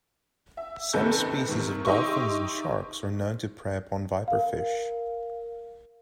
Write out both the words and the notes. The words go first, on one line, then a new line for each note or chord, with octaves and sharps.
Some species of dolphins and sharks are known to prey upon viperfish.
E5
F#1 D#2 C3 A4 B4 G6
C3 D#3
D#4 G4 D#5 E5 C6 C#6
A#4 F5